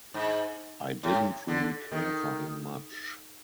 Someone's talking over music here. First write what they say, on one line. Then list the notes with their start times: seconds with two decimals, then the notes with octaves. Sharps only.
I didn't really care for him much.
0.14 G#2
1.03 A2
1.48 D3
1.91 D#3